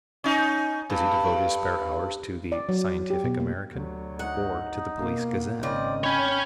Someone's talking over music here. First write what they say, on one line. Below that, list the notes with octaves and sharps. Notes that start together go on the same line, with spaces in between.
Does he devote his spare hours to the "Scientific American" or to the "Police Gazette"?
C#4 D#4
G2
D5
F#3
G4
B2
A#3
D2 F#3
D#4 F#5
B2 A#3
G#1 C#3 C5 D5 D#5 G5
C#4 C#5 G5 B5